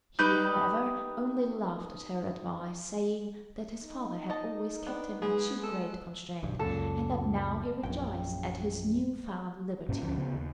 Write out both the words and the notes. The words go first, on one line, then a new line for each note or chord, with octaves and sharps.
He, however, only laughed at her advice, saying, that his father had always kept him in too great constraint, and that now he rejoiced at his new-found liberty.
D#4 G4 B4 G6
D#4
D#5 A5
B3 D4
G#3 B3 G#4
A4
B1 G2
C#2 F#2 A#2 A4
A#1 F#2 G5
G2 A#2 C#4
D2 F3 C#4
C#3 B3
D#2